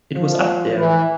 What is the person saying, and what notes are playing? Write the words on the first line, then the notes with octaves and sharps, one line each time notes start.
It was up there.
F3
E3